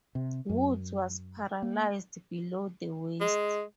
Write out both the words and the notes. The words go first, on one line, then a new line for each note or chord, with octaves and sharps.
Woods was paralysed below the waist.
C3
F#2
A#3
G#3